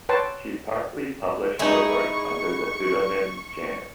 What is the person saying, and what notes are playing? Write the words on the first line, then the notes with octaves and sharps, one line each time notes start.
She partly published her works under the pseudonym "Janus".
B4 C#5 G5 A5 C6
G#3 D#4 E4 G#4 C#6